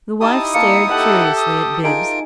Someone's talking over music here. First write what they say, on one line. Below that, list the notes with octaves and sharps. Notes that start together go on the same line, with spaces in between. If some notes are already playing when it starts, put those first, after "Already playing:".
The wife stared curiously at Bibbs.
D#4 E4 G4 A5 D#6
A#3 A5 C#7
G4 A4 E5 F#5 A5
D#6
D#4 F4 G#4 A#4 D7